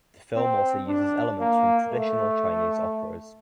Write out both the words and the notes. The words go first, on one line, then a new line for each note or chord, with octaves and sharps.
The film also uses elements from traditional Chinese operas.
C4
D4
A#3
A3